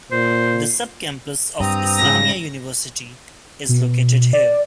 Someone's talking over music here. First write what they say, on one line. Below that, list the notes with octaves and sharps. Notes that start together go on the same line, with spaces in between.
The sub-campus of Islamia University is located here.
A#2 C5
G2 C4 A#5 D#6
G#2 C#3 A#6
B2
D5